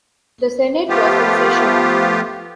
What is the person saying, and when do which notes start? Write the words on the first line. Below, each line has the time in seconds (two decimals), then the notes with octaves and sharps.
The Senate was in session.
0.89 F3 A3 B3 F4 G4